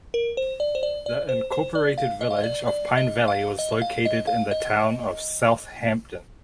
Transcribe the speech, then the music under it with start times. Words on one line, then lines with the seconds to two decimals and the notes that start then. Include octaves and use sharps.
The Incorporated Village of Pine Valley was located in the Town of Southampton.
0.14 A#4
0.37 C5
0.60 D5
0.75 C5
0.83 D5
1.06 D5
1.29 C5
1.52 C5
1.75 D5
1.98 F5
2.21 D#5
2.30 F5
2.37 D#5
2.44 D5
2.68 D5
2.98 D#5
3.28 F5
3.59 D#5
3.82 F5
4.05 D#5
4.27 F5
4.51 D#5